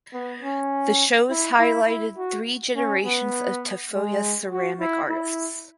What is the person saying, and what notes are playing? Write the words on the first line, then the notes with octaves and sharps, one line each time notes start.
The shows highlighted three generations of Tafoya ceramic artists.
B3
C#4
E4
E4
E4
F#4
C#4
B3
G#3
F#4
E4
E4